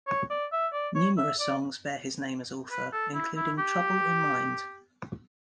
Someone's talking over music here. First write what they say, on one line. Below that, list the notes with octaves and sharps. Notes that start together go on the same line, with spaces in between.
Numerous songs bear his name as author, including "Trouble in Mind".
C#5
D5
E5
D5
C#5
E5
D5
B4
A4
E4
E4
G4